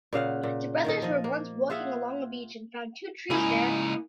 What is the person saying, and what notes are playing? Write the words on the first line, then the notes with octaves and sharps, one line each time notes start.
The brothers were once walking along a beach and found two trees there.
A#2 C#3 F5 F#5
A#2
D#3 A#4 D#5
F3 D#5
A#3
F4 G#4 E5 F#5
C#2 A#3 D#4 E4 G#5